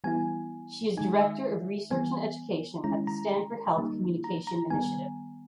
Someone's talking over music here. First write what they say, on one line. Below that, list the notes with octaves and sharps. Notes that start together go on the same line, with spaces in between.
She is Director of Research and Education at the Stanford Health Communication Initiative.
E3 G3 B3 E4 G#5
D#3 G#3 D#4 G#5
E5
E3 G3 B3 G#5
D#3 G#3 C#4 E4 A#5
A#5
D#3 G3 A#3 D#4
A#5
A#5
D#3 G3 B3 G#5